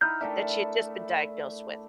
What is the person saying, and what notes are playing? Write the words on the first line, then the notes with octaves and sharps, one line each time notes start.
that she had just been diagnosed with.
D#4 E4 F#5 F6 G6
A3 D4 A#4 E5 G5 A5